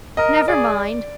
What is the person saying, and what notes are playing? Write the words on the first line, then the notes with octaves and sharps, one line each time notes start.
Never mind!
A#4 D#5
G#4 D5